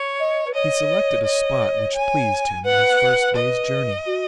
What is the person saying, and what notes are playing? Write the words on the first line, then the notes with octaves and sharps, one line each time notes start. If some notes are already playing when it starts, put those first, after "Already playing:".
He selected a spot which pleased him in his first day's journey.
Already playing: C#5
D#5
B4
C#5 D#5
D#5
G#5
B4 F#5
D#5
F#4